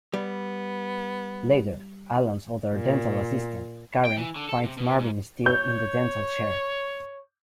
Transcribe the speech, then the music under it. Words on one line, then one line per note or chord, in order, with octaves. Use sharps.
Later, Alan's other dental assistant, Karen, finds Marvin still in the dental chair.
G3 B3
A#2
G5
E3
D3
A4
C3
B2
G#2
C#5 G6